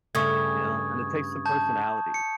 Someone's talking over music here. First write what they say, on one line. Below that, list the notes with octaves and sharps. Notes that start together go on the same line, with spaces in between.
you know? And it takes some personality.
G2 C#3 A3 C#6 D#6 G#6
A5 G6
C#7